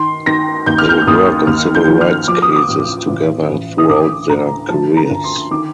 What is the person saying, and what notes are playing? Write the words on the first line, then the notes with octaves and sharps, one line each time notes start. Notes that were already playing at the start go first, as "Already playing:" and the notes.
They would work on civil rights cases together throughout their careers.
Already playing: D#3 C6
D#3 A#6
D#2 G6
F6
G6
F6
D#2 D#6
D#2 F6
G6
F3
F6
F3 D6
D#6
D6
A1
A1
A1
D#6
D2 D6
D2 A#5
F3 A5
A#5
D2
C6
D#3 D6